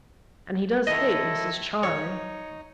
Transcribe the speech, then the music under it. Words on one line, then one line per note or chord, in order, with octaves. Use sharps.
And he does hate Mrs. Charley.
D#3 E4 A4 D#5
D#4 C#5